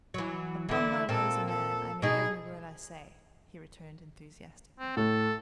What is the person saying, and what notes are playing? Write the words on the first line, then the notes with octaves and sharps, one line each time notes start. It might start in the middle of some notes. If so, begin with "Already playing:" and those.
"Upon my word as a man, I mean every word I say," he returned enthusiastically.
E3 F#3
D3 E3 E4
A#2 C4 A4
A4
B2 D#4 G#4
C4
A2 A4